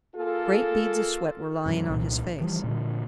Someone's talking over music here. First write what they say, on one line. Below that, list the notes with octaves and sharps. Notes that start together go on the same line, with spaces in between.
Great beads of sweat were lying on his face.
A#3 F4 G#4 A4
F#2 B2 D#3 F#3
C2 A#2
E3 F3 G3
A#2 D3